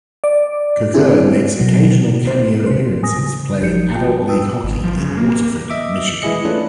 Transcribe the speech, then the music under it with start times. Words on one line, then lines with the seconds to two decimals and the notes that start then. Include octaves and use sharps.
Kocur makes occasional cameo appearances playing adult league hockey in Waterford, Michigan.
0.24 D5
0.94 C4 D4 E4 G4 G#4
1.60 B2 F#3
2.27 C5
2.66 C3 C5
3.02 A2 G3 G#5 D#6 A#6
3.16 C#3
3.61 G#1 F3 D#4 G4 G6 C#7
3.96 F4 F#4 G5 A5
4.26 F4 B4 G5 D#6 E6
4.64 G#1
4.84 F3
4.97 C#3
5.17 A#3
5.70 D#5 E5 D6
6.22 E3 G#3 E4 G#4 D#5 C#7
6.45 A3 C#4 D4 F4 B4